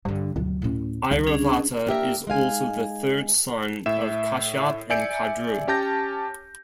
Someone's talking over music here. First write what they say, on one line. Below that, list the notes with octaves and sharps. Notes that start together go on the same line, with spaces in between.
Airavata is also the third son of Kashyap and Kadru.
G2 D3 G3
D2 C3 F#3
A2 C#4
C#2 E3 G3
C#4 D4 G#4
A#3 D4 G4 A#4 E5
G#3 D#4 F5 G#5
A2 E5 E7
D5 E5 G#5 G6 C#7 D7
C#4 G4 A5 G6 A#6